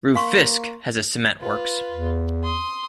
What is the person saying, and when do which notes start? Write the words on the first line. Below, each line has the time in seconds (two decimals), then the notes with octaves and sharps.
Rufisque has a cement works.
0.15 A#3 F5 C6 C#6
1.40 F4 B4
1.91 E2
2.43 C6 D#6